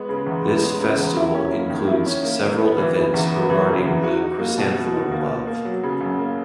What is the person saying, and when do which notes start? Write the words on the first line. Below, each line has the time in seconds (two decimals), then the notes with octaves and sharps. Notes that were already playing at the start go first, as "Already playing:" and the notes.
This festival includes several events regarding the chrysanthemum love.
Already playing: G#3 B3
0.09 C#3
0.27 E2
0.44 B3
0.63 G#3
0.80 C#3
0.98 E2
1.17 E4
1.34 C#4
1.52 A#3
1.70 D#3
1.88 E4
2.06 C#4
2.24 A#3
2.42 D#3
2.60 B3
2.78 E3
2.96 C#3
3.14 E2
3.31 B3
3.50 E3
3.68 C#3
3.85 E2
4.04 F#4
4.22 D#4
4.39 A#3
4.58 B2
4.75 F#4
4.93 D#4
5.11 A#3
5.29 B2
5.47 A#3
5.65 F#3
5.83 C#3
6.01 F#2
6.19 A#3